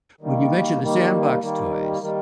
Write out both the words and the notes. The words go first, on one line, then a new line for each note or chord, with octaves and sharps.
When you mentioned the sandbox toys,
D#3 G3 A#3
D#3 G3 A#3
D#3 G3 A#3
D#3 G3 A#3